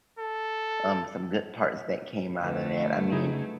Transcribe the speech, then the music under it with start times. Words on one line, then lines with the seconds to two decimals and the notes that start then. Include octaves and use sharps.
um, some good parts that came out of that. I mean,
0.19 A4
2.43 D2 D3 E3 A3
3.12 C#3 D#4 E4 G#4